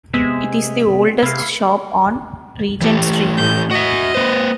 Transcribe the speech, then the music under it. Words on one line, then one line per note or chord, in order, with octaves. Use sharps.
It is the oldest shop on Regent Street.
C3 G#3 B3 G#4 E5
C3 E4 F5
E3 A3 G4
A2 G6
F#4 D#5 E5
A#3 B4 C5